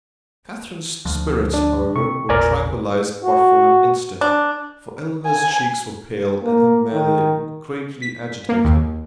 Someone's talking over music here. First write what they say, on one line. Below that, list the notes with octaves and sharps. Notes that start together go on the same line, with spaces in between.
Catherine's spirits, however, were tranquillized but for an instant, for Eleanor's cheeks were pale, and her manner greatly agitated.
D2 F3
D4
C3 C#6
A1 E2 A#2 A#4 D5 G#5
F#4
D4
G#5
A#3
D#3
B6
A#3
D#2